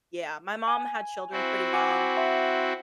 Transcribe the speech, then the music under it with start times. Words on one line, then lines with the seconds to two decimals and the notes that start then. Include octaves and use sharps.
Yeah, my mom had children pretty young,
0.68 G#5
1.32 C4 E4 F#4
1.73 F#5 G#5 D6
2.17 E5 F#5 C6